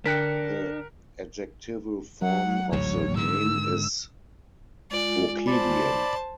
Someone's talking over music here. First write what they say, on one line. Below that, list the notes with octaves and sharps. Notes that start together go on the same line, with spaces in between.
The adjectival form of the name is Baucidian.
D3 D4 A#4 G5 F#6 B6 C#7
F#3 F#5
A1 D2 G#2 C#5
G#2 D3 D#3 E6
G#3 F4 D5 G#5
C5 D5 A5 B5